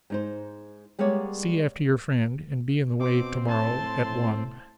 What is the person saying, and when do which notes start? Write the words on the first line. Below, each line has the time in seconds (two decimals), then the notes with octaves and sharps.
'See after your friend, and be in the way to-morrow at one.
0.10 G#2 D#4 C5
0.99 G3 G#3 A#3 B3 C#5 D5
3.01 B2 C4 D6
3.46 A2 A5 C6